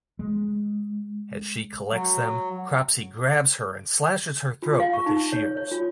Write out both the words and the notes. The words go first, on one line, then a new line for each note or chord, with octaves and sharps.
As she collects them, Cropsy grabs her and slashes her throat with his shears.
G#3
F#3
F4
F5
C#6
D#4
C#5
C#5
F4